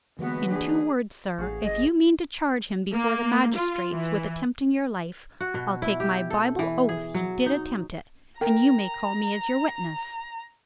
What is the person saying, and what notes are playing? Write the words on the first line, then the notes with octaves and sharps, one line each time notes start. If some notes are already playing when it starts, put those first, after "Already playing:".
In two words, sir, if you mean to charge him before the magistrates with attempting your life, I'll take my Bible oath he did attempt it, and you may call me as your witness.
D3 E3 G#3 A#3 B3 F#4 B4
D4 G#4
A1 F#4 G#4 F5
G1 D#5
A#3
F4
E3
F#4
B2
E4
G4
A4
E3
G#4
F#3
D#4
A#4 G5 A#5